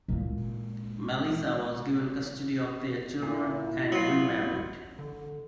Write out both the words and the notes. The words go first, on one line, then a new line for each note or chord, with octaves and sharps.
Melissa was given custody of their children and remarried.
A#2 G#3
A#2 E4
F#3 B3 F4
D3